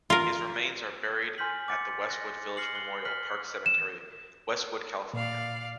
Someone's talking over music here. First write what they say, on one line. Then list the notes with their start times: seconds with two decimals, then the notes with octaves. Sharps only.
His remains are buried at the Westwood Village Memorial Park Cemetery, Westwood, California.
0.10 F4 A#4
1.38 G#5 C6 F6 G6 B6 F#7
1.68 D6 A6 C#7
2.10 F#6 A#6
2.57 F6 A#6 C7 C#7 F#7
2.75 F#6 C7 F#7 G7
3.05 F6 F#6 B6 F#7
3.66 E7
5.14 A#2 D5 F5